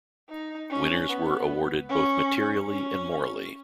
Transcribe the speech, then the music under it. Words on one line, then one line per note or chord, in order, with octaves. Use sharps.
Winners were awarded both materially and morally.
D#4
C#4
B3
C#4
C#4